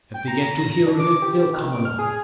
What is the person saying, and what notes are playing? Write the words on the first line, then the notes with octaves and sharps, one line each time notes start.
If they get to hear of it they'll come along.
G5
A#5
A#6
D4
D6
G4
D#3
D7
F6
G#4